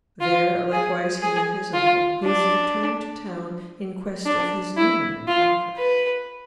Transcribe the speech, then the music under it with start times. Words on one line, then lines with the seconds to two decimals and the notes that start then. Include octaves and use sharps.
There likewise he met his uncle, who was returned to town in quest of his new-married daughter.
0.21 F4
0.72 G#4
1.23 G#4
1.74 F4
2.24 D4
4.26 D4
4.77 E4
5.28 F4
5.78 B4